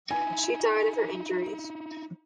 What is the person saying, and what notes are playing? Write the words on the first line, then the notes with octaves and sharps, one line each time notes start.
She died of her injuries.
D#4 E4 G#5